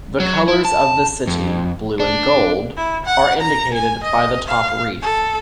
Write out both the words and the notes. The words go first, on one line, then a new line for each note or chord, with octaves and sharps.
The colours of the city, blue and gold, are indicated by the top wreath.
F#3
E4
A5
F2
D4
E4
F#5
A#5
G#5
D#5
F5
A4